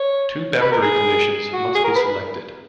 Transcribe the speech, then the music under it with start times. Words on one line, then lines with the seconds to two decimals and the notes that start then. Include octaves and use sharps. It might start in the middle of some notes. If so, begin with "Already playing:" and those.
Two boundary conditions must be selected.
Already playing: C#5
0.61 B4
0.72 A#4
0.82 G#4
1.53 F#4
1.75 G#4
1.84 A#4
1.95 B4